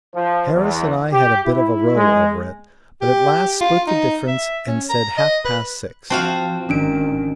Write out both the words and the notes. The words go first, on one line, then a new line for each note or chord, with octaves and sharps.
Harris and I had a bit of a row over it, but at last split the difference, and said half-past six.
F3
E2
G4
E4
G#3
G4
F4
D#4
E5
C#4
A#5
D#5
B4
F3 C4 F#4 F5 A5
G#1 D#3 C#4 D4 D7